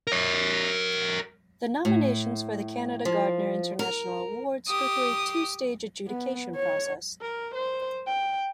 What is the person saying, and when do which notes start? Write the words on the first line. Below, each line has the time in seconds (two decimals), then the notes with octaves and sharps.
The nominations for the Canada Gairdner International Awards go through a two-stage adjudication process.
0.07 A#4 C#5
1.85 A2
3.05 F3
3.79 A#4
4.67 G4 D#6
6.08 B3
6.55 C#5
7.21 A#4
7.55 C5
8.07 G5